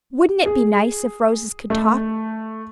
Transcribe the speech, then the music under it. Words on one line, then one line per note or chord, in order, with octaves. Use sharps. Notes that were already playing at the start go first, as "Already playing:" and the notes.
Wouldn't it be nice if roses could talk?
G#4
A3